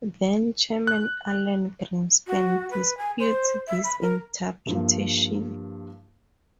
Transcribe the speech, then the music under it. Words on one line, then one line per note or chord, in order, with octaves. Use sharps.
Then-Chairman Alan Greenspan disputes this interpretation.
F#6
F#4
B4
G#5
C5
E5
B5
A#4
G2 E3 F3 A#3